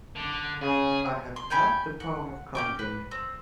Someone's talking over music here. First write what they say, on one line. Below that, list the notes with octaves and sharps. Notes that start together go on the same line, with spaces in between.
I have not the power of counting.
D3
C#3 G#4
C6
C#5 G5 G#5 B5
F#5
C#4 G5 D6
B4
C4